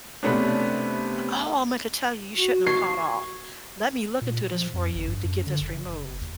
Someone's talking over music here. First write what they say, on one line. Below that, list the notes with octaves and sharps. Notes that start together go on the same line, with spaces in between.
"Oh, I meant to tell you, you shouldn't have called off. Let me look into this for you to get this removed."
C3 A3 B3 C#4 D4
F#4
C#6 G#6 C7
A#2
F3
F2
G1
G2
F#2
D3
F#1
D#2